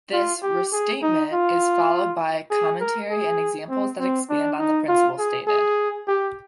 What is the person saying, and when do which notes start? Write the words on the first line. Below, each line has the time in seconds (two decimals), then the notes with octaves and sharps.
This "restatement" is followed by commentary and examples that expand on the principle stated.
0.13 F4
0.42 G4
0.72 G#4
1.02 D#4
1.32 F4
2.51 G#4
2.80 A#4
3.11 G#4
3.69 C4
3.99 C4
4.29 D4
4.59 D#4
4.88 F4
5.19 G#4
5.48 G#4
6.07 G4